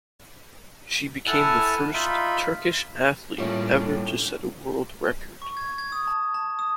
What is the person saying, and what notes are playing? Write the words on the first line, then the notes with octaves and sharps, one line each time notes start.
She became the first Turkish athlete ever to set a world record.
E4 A4 F#5 G#5 A5 F6
D#4 F4 E5 B5
A2 G3 A#3 C#4 D4 F4 C#5
C#6
G#6
G#6
D#6
A5
A5
D#6